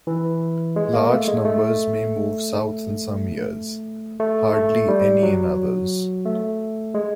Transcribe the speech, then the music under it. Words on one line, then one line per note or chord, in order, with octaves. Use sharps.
Large numbers may move south in some years; hardly any in others.
E3
G#3
A#3
A3
G#3
A3
A3
A3
G3
F#3
A3
G#3